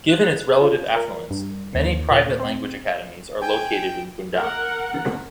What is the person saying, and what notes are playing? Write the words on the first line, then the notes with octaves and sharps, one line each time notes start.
Given its relative affluence, many private language academies are located in Bundang.
F#6
F4
A#4
G2
D#2
A#2
C4
G5 G#5
A#4 F#5